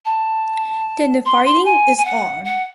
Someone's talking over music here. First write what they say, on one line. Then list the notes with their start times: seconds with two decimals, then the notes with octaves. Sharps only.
Then the fighting is on.
0.05 A5
1.25 C6
1.45 C6
1.65 G#5
1.97 G#5
2.05 F#5
2.44 F#5